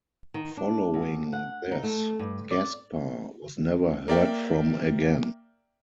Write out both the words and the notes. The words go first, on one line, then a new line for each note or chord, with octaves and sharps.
Following this, Gaspar was never heard from again.
D#3
D4
D2
F#5
D#4
A3
G2
D5
A#3 A#4 D5 E5 G5